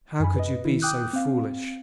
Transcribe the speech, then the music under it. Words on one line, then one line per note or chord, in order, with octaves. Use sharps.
"How could you be so foolish?"
F#2 G#5 B5
B4 D#5
D#3 E4
G5 D6 D#6 F#6 G6
C4 F5